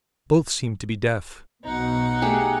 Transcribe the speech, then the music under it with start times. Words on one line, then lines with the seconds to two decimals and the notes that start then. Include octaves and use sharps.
Both seemed to be deaf.
1.64 B1 B2 D#4 F#5
2.22 A3 G4 G#4